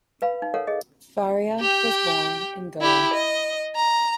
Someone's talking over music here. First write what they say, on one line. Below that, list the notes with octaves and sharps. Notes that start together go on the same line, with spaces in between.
Faria was born in Goa.
B4 F5 B5
D#4
A4 A#4 C#5 F5 F#5
G#4 D#5
G4 G5
E4 G4
D#5
A#5